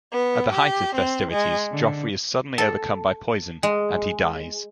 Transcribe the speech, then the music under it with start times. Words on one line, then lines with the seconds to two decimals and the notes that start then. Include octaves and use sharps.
At the height of festivities Joffrey is suddenly overcome by poison, and he dies.
0.12 B3
0.51 G4
0.96 C4
1.32 G#3
1.71 D3
2.58 A4
3.63 G#3